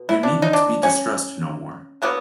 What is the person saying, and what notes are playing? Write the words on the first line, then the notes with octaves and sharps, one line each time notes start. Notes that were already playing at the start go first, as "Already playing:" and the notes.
You needn't be distressed no more.
Already playing: B2
E4
D4
D#4
D4
C#4
D3 F#3 A#3 B3